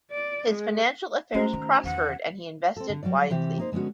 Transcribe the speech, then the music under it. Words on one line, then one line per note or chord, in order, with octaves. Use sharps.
His financial affairs prospered, and he invested widely.
D5
G#3
A3 C#4 F#4 C5 A#5
D#3
E2 D#3 F#5
C4 A4
D3
F#3 G3 F#4 D5
C3 E3 G4
A#3 D#4 C5
D3 G#3 B3 C#4 F#4